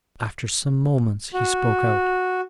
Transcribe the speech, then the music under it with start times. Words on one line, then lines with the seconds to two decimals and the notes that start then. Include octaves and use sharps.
After some moments he spoke out.
1.34 F#4